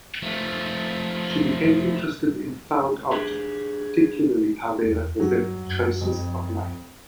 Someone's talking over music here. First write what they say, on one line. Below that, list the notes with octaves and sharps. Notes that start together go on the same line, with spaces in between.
She became interested in found objects, particularly how they represent traces of life.
F3 A3
D4 G4 G#4
E2
G2 F#3
F#2
F2